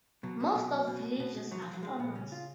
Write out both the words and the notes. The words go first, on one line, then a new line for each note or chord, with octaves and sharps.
Most of villagers are farmers.
B2 F#3
B2
B2
B1
B2
B1
B2
B2
F3 F#3
F3
B1
F#3
F3 G#3
A#2 B3
C#3 C#4
F4